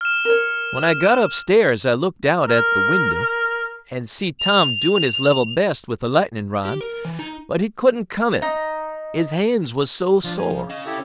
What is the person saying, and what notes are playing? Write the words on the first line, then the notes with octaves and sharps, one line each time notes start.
When I got up stairs I looked out at the window and see Tom doing his level best with the lightning-rod, but he couldn't come it, his hands was so sore.
F6 E7
A#4 C#5
A#4
F7
G4
A#4
E3
D#4
D#4
F3 D4 F4
G#5
C#3
C#4 D#5 F5
E4 G4 A4